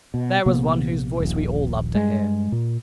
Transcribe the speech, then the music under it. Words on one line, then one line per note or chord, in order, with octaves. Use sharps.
There was one whose voice we all loved to hear.
B2
A#1 C3 A#3 B3
D#1 A#1
G2 G#3
A#2